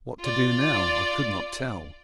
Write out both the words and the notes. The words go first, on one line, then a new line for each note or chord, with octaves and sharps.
What to do now, I could not tell.
F4 D5